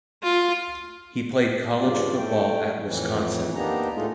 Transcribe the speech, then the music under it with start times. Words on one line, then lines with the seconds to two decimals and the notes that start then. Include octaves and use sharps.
He played college football at Wisconsin.
0.23 F4
1.80 G2 C#3 F4 D5
2.18 A2 A3 G5
2.85 F2 A2 E3
3.55 A#3 B3 D4 D#4 G4 A#5
3.94 A2 G#3 A3 D#4 F4